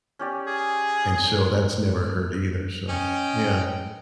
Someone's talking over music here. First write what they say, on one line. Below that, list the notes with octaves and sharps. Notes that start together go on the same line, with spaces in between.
and so that's never hurt either, so yeah.
C#4 G4 D5
G#4
C#4 D#5 G5